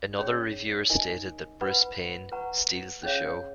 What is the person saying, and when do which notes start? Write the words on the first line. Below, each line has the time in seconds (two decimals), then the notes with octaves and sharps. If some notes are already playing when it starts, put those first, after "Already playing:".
Another reviewer stated that Bruce Payne 'steals the show.
0.18 C#4 G#4 C#5
0.90 D#4 A#4 D#5 G#5
1.61 B4 F#5 B5
2.32 B4 F#5 A#5 C#6
3.03 C#4 G#4 C#5 F5